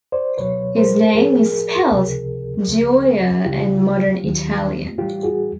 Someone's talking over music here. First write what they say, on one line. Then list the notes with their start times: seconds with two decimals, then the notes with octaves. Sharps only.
His name is spelled Gioia in modern Italian.
0.12 C5 D5
0.38 C#2 B2 F#3 B4 C#5
0.76 A#4 C5
1.15 A2 F3 G#4 A#4
1.91 C#2 C3 F3
2.68 C#2 C#3 F3
3.44 C#2 C#3 E3 G3 F4 G4
4.22 D#2 D#3 F#3
4.98 A2 E3 G3 F4 G4
5.23 F#4 G#4